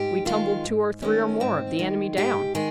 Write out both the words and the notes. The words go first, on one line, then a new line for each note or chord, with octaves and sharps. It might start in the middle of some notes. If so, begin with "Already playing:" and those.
We tumbled two or three, or more, of the enemy down.
Already playing: G#2 G4
D#3 G#3 F4
G#2
D#3 G#3 C#4
G#2 C4
D#3 G#3
G#2 G4
D#3 G#3 G#4